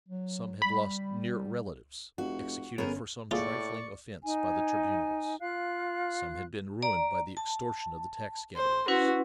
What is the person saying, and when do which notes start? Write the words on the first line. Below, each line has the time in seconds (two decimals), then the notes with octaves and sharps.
Some had lost near relatives, executed for some trifling offence by the tribunals, some had been ruined by the extortion of the tax gatherers.
0.08 F#3
0.62 G3 B5
2.18 F1 F#4
2.78 G1 B3 C#4 G#4 A#4 C#5
3.31 A2 A#3 F4 G#4 D5 C#6
4.23 D#4 G#5
5.40 F4 F5 F#6
6.82 D5 A#5
7.37 A5
8.56 C5
8.88 C#4 E4 F#4 B4